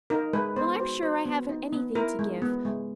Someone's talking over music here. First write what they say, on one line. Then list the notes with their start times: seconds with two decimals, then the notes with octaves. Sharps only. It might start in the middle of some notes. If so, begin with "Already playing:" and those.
Well, I'm sure I haven't anything to give.
0.10 D#4 A#4
0.33 G#3 B4
0.56 B3 C5
0.80 F#4 C5
1.03 F#4 C5
1.26 B3
1.49 D#4
1.73 B3
1.95 E4 A#4
2.19 G#3
2.42 B3
2.65 G#3